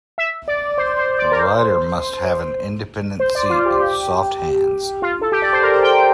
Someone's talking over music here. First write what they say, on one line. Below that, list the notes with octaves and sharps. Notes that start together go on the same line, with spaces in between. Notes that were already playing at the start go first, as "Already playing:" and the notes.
The rider must have an independent seat and soft hands.
E5
D5
C5
C5
D5
A#4
C5
C5
D5
F4
G4
G4
F4
A4
G4
D5
C5
A#4
G5